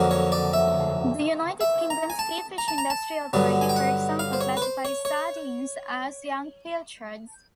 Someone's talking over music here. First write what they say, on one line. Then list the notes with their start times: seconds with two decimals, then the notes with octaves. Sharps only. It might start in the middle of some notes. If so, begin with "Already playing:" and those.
The United Kingdom's Sea Fish Industry Authority, for example, classifies sardines as young pilchards.
Already playing: F2 D3 F#3 A#3
0.11 C#5
0.32 D5
0.53 E5
1.61 E5
1.90 A#5
2.10 G#5
2.19 A5
2.58 A#5
2.68 A5
2.78 A#5
2.90 A5
3.33 G2 D3 F#3 B3
3.61 G#5
3.69 G5
3.76 F#5
4.19 F5
4.33 C5
4.41 C#5
4.57 B4
4.62 C5
4.85 C#5
5.05 C#5